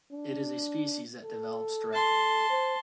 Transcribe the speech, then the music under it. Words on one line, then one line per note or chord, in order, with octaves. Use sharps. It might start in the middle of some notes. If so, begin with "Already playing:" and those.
It is a species that develops directly.
D4
A4
A5 C6
C5